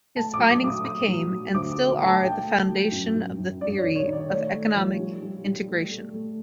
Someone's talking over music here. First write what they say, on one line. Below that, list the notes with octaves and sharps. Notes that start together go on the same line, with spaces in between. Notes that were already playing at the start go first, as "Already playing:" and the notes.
His findings became and still are the foundation of the theory of economic integration.
A3 A5
D6
F#3
D6
F#3 D6
D#6
A3 D#6
F#3
F#3
D2 D6
D6
A3
D6
A3
A5
A3 G5
A3
F#3
F#2
F#2
F#2
G2 D5
C#5
D#3
C#5
D#3
D5
A3 C#5
A3
F3
G3
G3
G3
A3
A3
A3